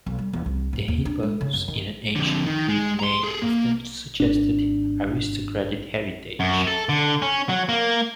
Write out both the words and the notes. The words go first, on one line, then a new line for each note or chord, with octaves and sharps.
The "hippos" in an ancient Greek name often suggested aristocratic heritage.
B1
G3
E2
C2
G#2
D#2
D4
G#3
C#3
F#2
D#3
F2 D3
D#3
G#3
A#5 C6
G#4 A4
A#3
G#1 D4
F#2
A4
D3
C#4
F#3
A#3